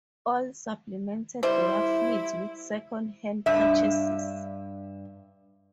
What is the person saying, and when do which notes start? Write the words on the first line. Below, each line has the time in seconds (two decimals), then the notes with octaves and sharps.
All supplemented their fleets with second hand purchases.
1.43 G3 E4 C5
3.46 G2 E5